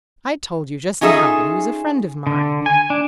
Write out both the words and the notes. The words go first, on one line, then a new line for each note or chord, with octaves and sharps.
"I told you just now that he was a friend of mine."
C#4 D#4 F4 G#4 A4 E5
D3
G#5
D4